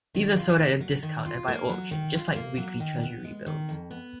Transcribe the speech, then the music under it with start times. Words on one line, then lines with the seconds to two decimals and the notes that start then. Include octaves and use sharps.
These are sold at a discount and by auction just like weekly Treasury bills.
0.14 D#3
0.36 F4
0.59 A#3
0.80 F#3
1.03 D#3
1.25 F4
1.48 A#3
1.69 F#3
1.91 D#3
2.14 F4
2.36 A#3
2.58 F#3
2.80 D#3
3.03 B3
3.24 G#3
3.46 D#3
3.69 F2
3.91 B3